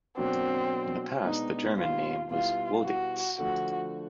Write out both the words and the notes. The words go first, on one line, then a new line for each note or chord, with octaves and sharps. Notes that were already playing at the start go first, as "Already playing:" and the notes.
In the past the German name was "Woditz".
B2 F#3 A#3 C4 D4 F#4
B2 G#3 B3 D4 D#4
F4
B2 G3 B3 E4 F4
F#4
D3 F3 A3 F#4